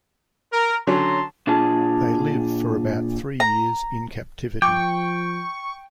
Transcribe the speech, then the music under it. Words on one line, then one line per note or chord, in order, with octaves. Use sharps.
They live for about three years in captivity.
A#4
D3 F#3 C#4 A5 A#5 C6
A#2 D4 F4 G#4 A5
A#5
F3 G5 C#6 D6